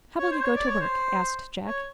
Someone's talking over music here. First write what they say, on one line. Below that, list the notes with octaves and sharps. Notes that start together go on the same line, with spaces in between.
"How will you go to work?" asked Jack.
C#5
C5
C#5
D5
C#5
C5
C#5